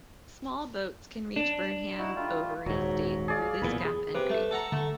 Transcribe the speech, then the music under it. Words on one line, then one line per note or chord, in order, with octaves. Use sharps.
Small boats can reach Burnham Overy Staithe through this gap and creek.
D4
D#4 E4 F#4
G3 A3 F4
D#1 G#2 F#3
G#4 D5 F5
B1 E2 A#2 B5
G#4
C3 B4
A3
A4 F#5 A#5
D3 A3